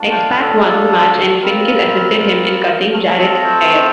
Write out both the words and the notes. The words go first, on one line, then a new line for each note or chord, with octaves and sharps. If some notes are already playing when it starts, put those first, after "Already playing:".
X-Pac won the match and Finkel assisted him in cutting Jarrett's hair.
Already playing: A3 D4 F4
G5
F5
A4
A4
G3 C4 F4 A#4
A3 C4 F4 A#4
D#5
C5